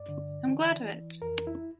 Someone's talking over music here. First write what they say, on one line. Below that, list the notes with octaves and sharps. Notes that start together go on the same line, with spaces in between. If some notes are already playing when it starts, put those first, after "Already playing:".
I'm glad of it!
Already playing: G2 D5
D3
E3
E3
F2 A#4
E4